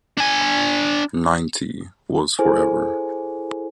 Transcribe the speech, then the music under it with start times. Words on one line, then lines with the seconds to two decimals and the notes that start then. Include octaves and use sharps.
"Ninety"... was forever.
0.18 D4 G#5
2.39 E4 G#4 A4 C5 G#5